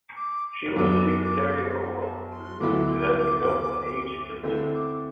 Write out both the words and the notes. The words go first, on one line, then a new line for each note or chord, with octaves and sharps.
She was the secretary of what would become Age Concern.
D6
F#2 F#3 B3 D4 D6
D6
C6
A5
C6
D2 D3 F#3 B3 E4 D6
D3 A3 C4 E4 E6
D6